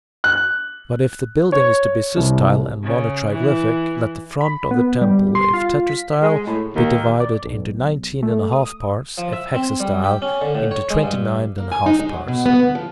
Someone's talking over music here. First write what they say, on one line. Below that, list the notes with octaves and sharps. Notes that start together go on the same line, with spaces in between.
But if the building is to be systyle and monotriglyphic, let the front of the temple, if tetrastyle, be divided into nineteen and a half parts; if hexastyle, into twenty-nine and a half parts.
F#6
C#5
C2
C#3
E3
B5
B3
G3
C6
F4
B6
G#3
A2
D#2
D5
B1
A3
D#6
F3
E5
C4
G3
G4
C#4
D3
A2
C#5
G#3
G2
A#3
G#5
D#4
G#3
F#3
B2
B3
D2
F3